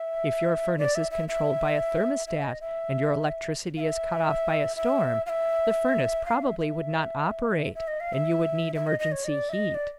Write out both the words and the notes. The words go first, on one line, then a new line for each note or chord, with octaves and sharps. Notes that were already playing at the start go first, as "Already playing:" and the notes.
If your furnace is controlled by a thermostat and your electricity is cut off by a storm, the furnace probably would not operate and you would need emergency heat.
Already playing: E5
D5
E5
E5
E5
E5
D#5
E5
F5
E5
E5
F5
E5
F5
E5
E5
E5
D#5
F5
E5
E5
D#5
D#5
C#5
D#5
D5
E5
D#5
D5